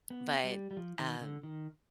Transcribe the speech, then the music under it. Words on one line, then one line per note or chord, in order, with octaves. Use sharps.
but, um,
B3
G3
G3
F3
D#3
D3
D#3